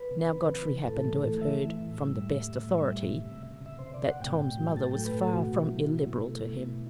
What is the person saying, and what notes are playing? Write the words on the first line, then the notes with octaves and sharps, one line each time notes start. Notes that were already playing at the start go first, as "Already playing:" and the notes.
Now Godfrey happened to have heard, "from the best authority," that Tom's mother was far from illiberal to him.
Already playing: B4
C3
C3
E3
E3
A2 A4
E3
A3
E3 E5
E3
A2
G3
A2
A2
A2
G3
A2
C3
C3
C3
C3 E5
C5
C3
D5
C3
F#5
A2 G5
A2
F#3
A2 A5
A3 G5
B4
A2 A4
B2 F#4
B2
E4
F#3
B2
B2
A3
B2
B2